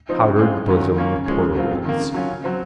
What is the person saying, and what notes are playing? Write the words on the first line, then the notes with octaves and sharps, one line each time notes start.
Powdered bosom pearls.
F3 C4 D#4
C#3
G#3 C4 F4
F#2
D#3 F#3 C#4 F4
D#3
A#3 C#4 F4
C#3
F3 G#3 C#4
C#3
F#3 C4 F4
F2
D#3 A#3
C#3
F#3 C#4 F4
C#3
F#3 C4